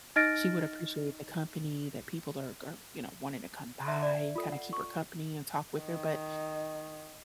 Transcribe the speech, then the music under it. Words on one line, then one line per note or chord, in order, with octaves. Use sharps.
She would appreciate the company that people are are, you know, wanting to come by and kinda keep her company and talk with her, but
D#4 D#5 F6 A6 A#6 D7
E5 A#5
D5
F4 A4
F#5
C#6
D#3